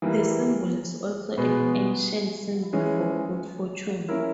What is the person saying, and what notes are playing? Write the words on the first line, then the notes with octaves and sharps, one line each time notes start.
The symbol is also an ancient symbol for good fortune.
E3 G3 A#3
B2 G#3 B3
E3 G#3 C#4
A#3 C#4 E4 A#4